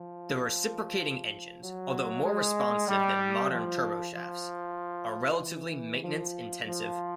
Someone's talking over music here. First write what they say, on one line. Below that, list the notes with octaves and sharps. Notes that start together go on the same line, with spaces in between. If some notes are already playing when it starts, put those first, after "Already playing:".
The reciprocating engines, although more responsive than modern turboshafts, are relatively maintenance intensive.
Already playing: F3
F#3
G#3
G3
F3
F3
E3
F3
F3